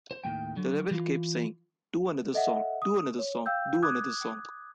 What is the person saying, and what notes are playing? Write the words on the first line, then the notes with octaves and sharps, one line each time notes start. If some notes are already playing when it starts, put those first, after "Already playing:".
The label kept saying "Do another song, do another song, do another song".
C5
D#2 A2 A3 G5
D3 F#3
E3 F4
A4 D#5 E5 F#5
D#6
C#5
F5 G5 E6 G6
D6 D#6 F#6 G#6